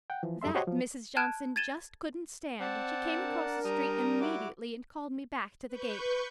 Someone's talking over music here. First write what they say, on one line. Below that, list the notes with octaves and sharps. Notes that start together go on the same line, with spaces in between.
That, Mrs. Johnson just couldn't stand, and she came across the street immediately and called me back to the gate.
F#5 G5
E3 F3
F#2 G3 A4 E5 C6
F#4 G4 C5 C#5 D#5 F#5
F3 F#3
A5 F6 F#6 G#6 D7 E7
G#6 A6 D#7 E7 G7
C4 D5 F#5 A5
D4 A#4
G3 A#5 D#6
E4 F#4 D6
B4 C#6 G6